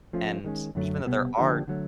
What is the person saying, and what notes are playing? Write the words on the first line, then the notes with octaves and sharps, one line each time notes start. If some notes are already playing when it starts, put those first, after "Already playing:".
and even though there are
F3 A3 C#4 F4
D#3 G#3 C#4
F#2 D3 F#3 A3
C2 B2 G3 B3
D3 F3 A#3 D4 G4
D3 F#3 A3